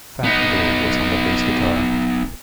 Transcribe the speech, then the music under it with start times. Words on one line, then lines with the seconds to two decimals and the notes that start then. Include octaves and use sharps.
'Fat' Dave was on the bass guitar.
0.24 B3 D#4